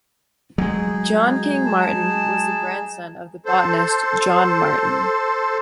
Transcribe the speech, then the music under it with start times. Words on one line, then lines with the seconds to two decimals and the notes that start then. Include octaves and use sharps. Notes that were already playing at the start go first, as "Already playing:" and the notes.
John King Martyn was the grandson of the botanist John Martyn.
0.58 F#3 G#3 D#4 G#4
1.65 A5
3.46 A4 C5